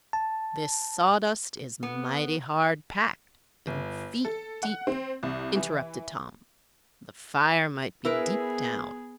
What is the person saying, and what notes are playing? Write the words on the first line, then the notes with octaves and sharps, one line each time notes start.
"This sawdust is mighty hard-packed, and feet deep," interrupted Tom. "The fire might be deep down."
A5
B3
G1
A4
F#5
C4
C2
E3
B3 E4 G#4 A#4 B4